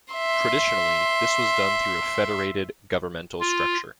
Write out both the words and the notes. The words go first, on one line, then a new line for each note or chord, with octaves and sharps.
Traditionally, this was done through a federated governmental structure.
E5 C6
F4